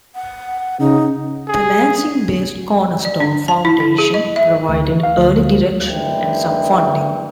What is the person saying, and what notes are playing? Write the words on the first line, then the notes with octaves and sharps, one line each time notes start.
The Lansing-based Cornerstone Foundation provided early direction and some funding.
F#5
C#3 D#4
G#4
D5
D4
A5
E4
E4
G#4
D#5
E5
D2
E3
F5
D2
F#1 E3 G#3 D4 G5